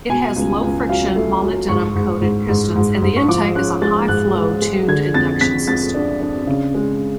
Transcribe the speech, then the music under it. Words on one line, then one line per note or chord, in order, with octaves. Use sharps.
It has low-friction molybdenum-coated pistons and the intake is a high-flow tuned induction system.
B2 G#5
C#2
C#2
F#3 F5
A3
F#3
G#2 C#6
G#2
G#2
G#2
G#2
G#2
C#6
F3 D6
C#4 F#6
G#3 A6
G#2 F#6
G#3
G#3
D3 G#6
F2 A6
F2 B6
F2 A6
D4
D4
C#3
G#3